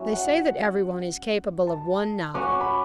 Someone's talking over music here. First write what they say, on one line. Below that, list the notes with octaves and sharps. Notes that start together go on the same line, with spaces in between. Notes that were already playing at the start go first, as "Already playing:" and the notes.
They say that everyone is capable of one novel.
Already playing: F#3 C#4 E4
F#5
A5
F#3 C#4 F#4 D6
C#6
B5